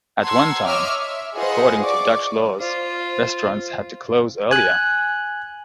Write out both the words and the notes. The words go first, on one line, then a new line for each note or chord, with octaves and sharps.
At one time, according to Dutch laws restaurants had to close earlier.
F#5 A5 A#5 C6 E6 G#6
C#5 D#5 E5 D6 E6 F6
E5
F4 G#4 B4 C5 D#5 F#5
D5 C#6 D6
F4 C5
G#5 F#6